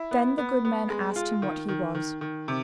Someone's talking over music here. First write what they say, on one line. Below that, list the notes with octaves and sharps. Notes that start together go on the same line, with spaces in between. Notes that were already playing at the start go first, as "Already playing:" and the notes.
Then the good man asked him what he was.
Already playing: E4
B3
B3
B3
G#3
F4
D#3
D#3
D#3
D#3
C3